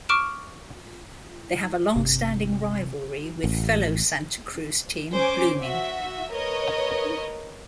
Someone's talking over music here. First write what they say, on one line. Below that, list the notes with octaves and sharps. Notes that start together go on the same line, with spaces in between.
They have a longstanding rivalry with fellow Santa Cruz team Blooming.
C#6 D6 F6 D7 E7
G1 C3
A1
C#4 C5 G#5 D6
F#4 E5
A#4 B4 C#5 D#5